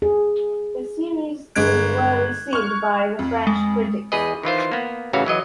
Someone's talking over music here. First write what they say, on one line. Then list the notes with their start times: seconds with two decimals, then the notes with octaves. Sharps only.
The series was well received by the French critics.
0.02 G#4
1.56 G1 G#3 F#6 G#6 D7
2.53 C#6 F6
3.19 F2
3.47 G#3
4.12 E2 G#4 B4 D#5
4.43 D#3 E3 F4 C5
4.72 A#3 B3
5.13 A1 C#3 E3 F#4 C#5 F5
5.26 E3 F#3 D#5